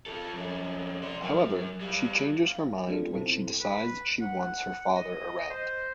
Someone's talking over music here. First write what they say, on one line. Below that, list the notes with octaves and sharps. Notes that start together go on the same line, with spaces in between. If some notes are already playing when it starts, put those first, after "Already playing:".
However, she changes her mind when she decides she wants her father around.
F4 A4
F2 C#4
D5 C6
F#3 A#4
G3 F5
F5
F#3 A3 C4 D4 F4 A4
B2 C4 E4 A4
B4
F#5
D#5
C5